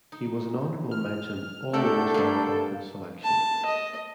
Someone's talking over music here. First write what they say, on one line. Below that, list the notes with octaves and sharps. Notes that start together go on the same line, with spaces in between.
He was an Honorable Mention All Lone Star Conference Selection.
D#4
F6
A3 D4 G4 A4 A#4 F#5 G6
G2 A#3
A5
D#5